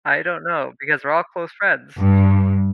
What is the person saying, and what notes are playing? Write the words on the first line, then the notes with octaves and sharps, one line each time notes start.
I don't know, because we're all close friends.
G2